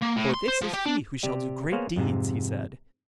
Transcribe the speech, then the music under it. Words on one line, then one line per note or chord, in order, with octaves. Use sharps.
'For this is he who shall do great deeds,' he said.
A#3
A2
C6
C5
F3
G4
D4
C3 G4 D5
A#3 B3 G#4 C5 C#5 F5
F2 G#2 C3